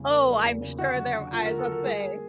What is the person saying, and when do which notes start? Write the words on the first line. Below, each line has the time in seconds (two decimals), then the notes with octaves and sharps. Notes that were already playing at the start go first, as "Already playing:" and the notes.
Oh, I'm sure there I was about to say.
Already playing: E2 C#3 G3
0.08 A#3
0.26 F#3
0.43 E2
0.61 C#3
0.78 D3 F#4
0.96 F#3
1.14 D4
1.32 A#3 F4
1.46 D3 A#4
1.58 A4
1.67 F#3 A#4
1.85 G3 G#4
2.02 A#3